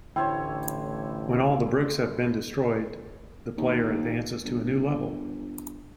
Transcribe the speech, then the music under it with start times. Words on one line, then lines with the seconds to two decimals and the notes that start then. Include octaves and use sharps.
When all the bricks have been destroyed, the player advances to a new level.
0.16 A1 D2 D3 E4 C5 C#5 G5
3.57 D#2
4.45 G1